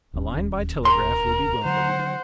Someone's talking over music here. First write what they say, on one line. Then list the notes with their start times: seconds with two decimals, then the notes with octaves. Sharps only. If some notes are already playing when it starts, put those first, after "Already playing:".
A line by telegraph will be welcomed.
0.14 D1 D#2 C#4
0.85 A#4 A#5 C6
1.65 D3 F#3 C5 F#5